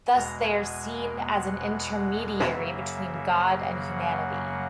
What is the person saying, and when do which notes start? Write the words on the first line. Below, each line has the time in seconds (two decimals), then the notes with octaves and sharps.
Thus they are seen as an intermediary between God and humanity.
0.13 E2 B2 G#3 A#5
0.43 G#5
1.34 F#5
2.54 F#2 C#3 F#3 A#3 E5
3.75 F#5